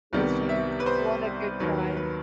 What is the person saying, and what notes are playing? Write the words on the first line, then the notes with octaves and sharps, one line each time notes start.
Listen, if you want a good cry
C2 C3 D#3 G3 B3
E5
B4
C5
D#2 D#3 F#3 B4
B4
B4